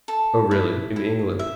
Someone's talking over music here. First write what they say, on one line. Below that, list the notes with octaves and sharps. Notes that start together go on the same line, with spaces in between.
"Oh, really--in England?"
A4
E4
E4
E5